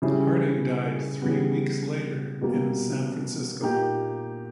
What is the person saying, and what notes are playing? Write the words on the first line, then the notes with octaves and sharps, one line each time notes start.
Harding died three weeks later in San Francisco.
C#3 G3 C#4 E4 G#4
C#3 G3 B3
B2 G3 A#3
A#2 A#3 D#4 G4